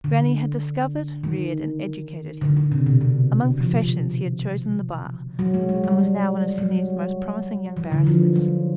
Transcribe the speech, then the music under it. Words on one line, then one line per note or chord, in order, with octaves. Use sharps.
Grannie had discovered, reared, and educated him. Among professions he had chosen the bar, and was now one of Sydney's most promising young barristers.
D3
D#3
D3
D3
C3
B2
C3
F3
F#3
G#3
G#3
G3
F#3
F#3
E3
D3
F3
F#3